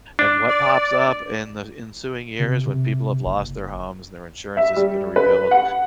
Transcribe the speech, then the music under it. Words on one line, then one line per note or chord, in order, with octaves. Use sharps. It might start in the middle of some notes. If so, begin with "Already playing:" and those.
And what pops up in the ensuing years when people have lost their homes and their insurance isn't gonna rebuild,
D4
D5
C3
C3
F#1
E5
G3
B4
F#5